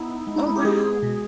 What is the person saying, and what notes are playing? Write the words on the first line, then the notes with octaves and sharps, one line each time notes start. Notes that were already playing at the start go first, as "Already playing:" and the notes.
Oh, wow.
Already playing: B3 D#4 E4
G#3
D#4
E4
G4
G#3 G#4
B2